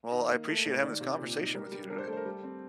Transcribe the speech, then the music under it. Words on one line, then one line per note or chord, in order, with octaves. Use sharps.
Well, I appreciate having this conversation with you today.
D#3 D#5
A#3
A3
A2
D#3 D5
C3
A#2
D#4
G3 A#4
G3
D4 A#4
C5
A3 A4
C5
A#4
G3 A4
C4